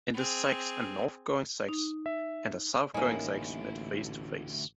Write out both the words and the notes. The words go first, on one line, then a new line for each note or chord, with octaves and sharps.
In The Zax, a north-going Zax and a south-going Zax meet face to face.
C4 G#4
D#4
E5
A1 D2 A#3 C#4 D#4 E4 G#4